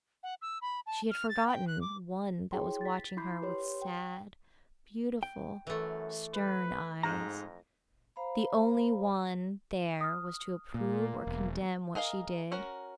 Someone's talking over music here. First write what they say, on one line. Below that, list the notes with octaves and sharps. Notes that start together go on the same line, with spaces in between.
She had forgotten one that was watching her with sad, beautiful, stern eyes--the only one there was to approve or condemn what she did.
F#5
E6
B5
A5
F6
A6
G5
F#6
D6
E4 F#4 G#4 C#5 G5 C6
A6 B6
E4 B5 C6 D6 G6 C7
G4 B4 C#5 C6
G5
G5
F#2 E3 A3
B4
F2 G#2 A#5
C5 F5 A#5 B5
D#6 F6
A#2 A#3
E1
G#4 A#4 D#5 F5
C#4 F#4 A#4